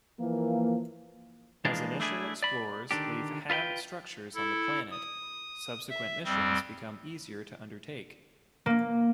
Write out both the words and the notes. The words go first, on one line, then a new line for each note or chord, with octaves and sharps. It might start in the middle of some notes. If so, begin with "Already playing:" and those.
As initial explorers leave hab-structures on the planet, subsequent missions become easier to undertake.
E3 F3 A#3
E3 F3 G#3 A#3 D4 F4
A3 D4 E4 G#4
D5 B5
D3 D#3 D4 G4
F4 B4 F5 G5
E4 A4
D#6
E5
F2 G3 C4
A#3